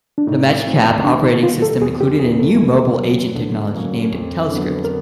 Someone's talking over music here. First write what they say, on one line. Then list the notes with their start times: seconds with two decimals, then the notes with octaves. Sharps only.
The Magic Cap operating system included a new "mobile agent" technology named Telescript.
0.18 D4
0.27 A2 D#4
0.66 F3 A3 C4 D#4
1.04 D#3 D4
1.24 D#4
1.43 G3 B3 F4
1.62 A4
1.81 E2 G#4
2.01 G4
2.20 C3 E3 G#4
2.39 A4
2.59 A#2
2.97 F#3 B3
3.35 D3
3.74 F#3 A#3 C#4
4.12 F2
4.51 D3 F#3 B3
4.85 A#4